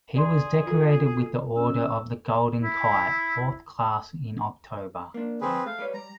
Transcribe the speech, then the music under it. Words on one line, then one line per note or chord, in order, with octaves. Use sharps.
He was decorated with the Order of the Golden Kite, Fourth Class, in October.
G#4 D5 C6
F4 A4
C#4 E6
E4
A#3 D4
D3 F3 C4 G#4 B4 C5
A3 F5
G3 B4 C#5
G3 A#5